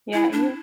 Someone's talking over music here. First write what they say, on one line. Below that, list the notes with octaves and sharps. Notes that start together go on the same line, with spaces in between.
Yeah, and you'll
E4
D4